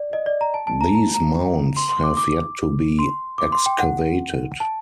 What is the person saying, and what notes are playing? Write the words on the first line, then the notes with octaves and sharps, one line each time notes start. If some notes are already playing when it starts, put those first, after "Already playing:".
These mounds have yet to be excavated.
Already playing: D5
D#5
D5
A#5
A5
A5
A#5
A#5
A#5
C6
C6
D6
D6
C6
D6
C6
G5
F#5
A5